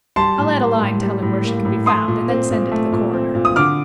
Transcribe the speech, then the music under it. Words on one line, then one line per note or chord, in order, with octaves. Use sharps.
I'll add a line telling where she can be found and then send it to the coroner.
G3 A5 C6
A2
A#3
A2
G3
A2
A#3
A2
A3 C6 D#6
A#2
C4
A#2
A3
A#2
C4
A#2
D#6
D3 D6 F6